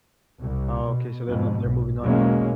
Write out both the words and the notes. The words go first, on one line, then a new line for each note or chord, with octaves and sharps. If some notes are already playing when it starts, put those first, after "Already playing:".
Okay, so they're n they're moving on.
C2
B2
F2 G#2 B2
B1
E2 B2 F#3 G#3 A#3 C#4